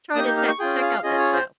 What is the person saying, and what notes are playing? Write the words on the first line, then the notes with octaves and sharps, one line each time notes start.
try to che check out that show.
A#3 D#4 G4 D#6
G6
F6
C#6
C#4 F4 G#4 G5
F5
C#4 F4 G#4 D#5
C#5
C5